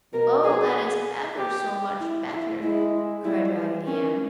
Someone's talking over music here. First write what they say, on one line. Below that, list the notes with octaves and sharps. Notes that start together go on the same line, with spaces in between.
"Oh that is ever so much better!" cried Raggedy Ann.
B2 A#4
G#4
G#4
G4
E4
E4
G#3 E4
G3 E4
E3
D#3 C#4